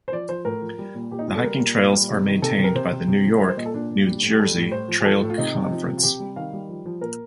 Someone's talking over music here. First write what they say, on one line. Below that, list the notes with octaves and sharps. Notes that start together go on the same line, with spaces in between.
The hiking trails are maintained by the New York - New Jersey Trail Conference.
C5
F3 D5
F3 C5
A2 A#4
F3
G3
A#2
A#2 G4
D#4
G3 F4
A4
G3 A#4
A#2
A#2
G3
C3
D#3
C3 A4
C3
A#4
C3 C5
C3
C3
F3
G3 A#4
C5
A#2 D#5
A4
A#2 D4
A#2
G3
A2
G4
G3 A4
A2
A2 C5
F3
G4
F3 A4
A2
F4
C3 D#4
C3
F3
C3
F4
C3 G4
G3
D#3 F5
G3
F3
F3
A#2 A#4